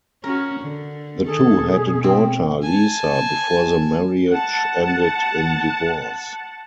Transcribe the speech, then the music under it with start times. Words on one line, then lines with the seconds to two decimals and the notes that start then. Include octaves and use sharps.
The two had a daughter, Lisa, before the marriage ended in divorce.
0.24 C#4 F#4 A#4
0.60 D3
1.26 D#3 G#4 A4
1.61 B2
2.04 C4
2.63 G#5 A5
4.30 F#5 A5